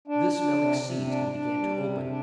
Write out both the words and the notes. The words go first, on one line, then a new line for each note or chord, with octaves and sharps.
This Melick seized and began to open.
D4
D4
C3
C3
D4
D4
G3
C3
D4